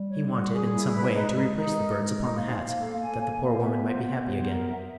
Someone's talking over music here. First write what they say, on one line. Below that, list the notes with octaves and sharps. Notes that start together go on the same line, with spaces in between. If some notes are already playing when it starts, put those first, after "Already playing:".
He wanted, in some way, to replace the birds upon the hats, that the poor woman might be happy again.
Already playing: G3
C#5
F#4
G#4
E4
B4
G#3 D#4
D#4
D#4
A#4
A#4
D#4
A#3 C5
F5
A4
A#3 G#5
G#5
C5
B3 E5
C5
C5
C#5
A#4
E5